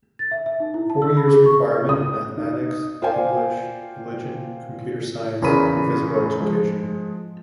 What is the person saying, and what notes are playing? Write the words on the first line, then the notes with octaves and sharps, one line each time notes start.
Four years requirement of mathematics, English, religion, computer science and physical education.
A6
E5
E5
D#4
E4
A5
E6
B5
G#4
C#6
D#6
D#4
F4 C5 D5 F5 G5 G#5
E2 C#3 F4 A#4 B5 D#7
F3 G#3